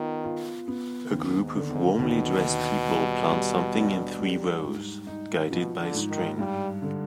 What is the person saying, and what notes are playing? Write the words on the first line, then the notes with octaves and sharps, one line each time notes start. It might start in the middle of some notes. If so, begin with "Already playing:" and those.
A group of warmly dressed people plant something in three rows, guided by string.
Already playing: D#3 B3 F4
F4
B3
D#2
G#2
D3
G#2
D#2 B2
D#2
G3
G3
D4
G3
G#2
D#4
B2 F3
D3
G#2
D#3
G2 G3
D3